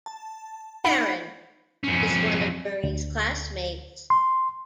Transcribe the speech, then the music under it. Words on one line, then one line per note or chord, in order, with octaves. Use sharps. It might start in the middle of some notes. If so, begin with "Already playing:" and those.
Karen: is one of Bernie's classmates.
A5
D#4 F#5 B5
F2 C#4
D2
C6